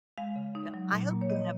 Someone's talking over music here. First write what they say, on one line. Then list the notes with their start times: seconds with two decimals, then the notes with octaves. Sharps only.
Yep. I hope you have
0.18 G#3 F5
0.36 C#3
0.55 D#4
0.74 F#3
0.92 A#2
1.11 A#3
1.21 C#5
1.30 F3 D#5